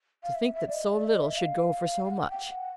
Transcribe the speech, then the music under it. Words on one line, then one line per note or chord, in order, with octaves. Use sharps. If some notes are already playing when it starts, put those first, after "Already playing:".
'To think that so little should go for so much!
F5
E5
E5
D5
D#5
D5
E5
D#5
E5
F5
F5
F#5
G5
F#5